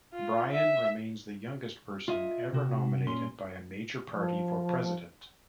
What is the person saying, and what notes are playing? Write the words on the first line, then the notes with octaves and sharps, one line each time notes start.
Bryan remains the youngest person ever nominated by a major party for president.
F4
E5
F4 D#5 E5
C3 F#4
A#2 C#4 C6
F3